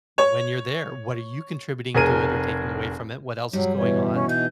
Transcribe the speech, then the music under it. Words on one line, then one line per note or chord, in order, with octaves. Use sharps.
when you're there, what are you contributing to it or taking away from it, what else is going on,
C#5
F1 G#4 A#4 D#7
G2 F#3 G3
B2 E3 C#5
C#4
D#4 G6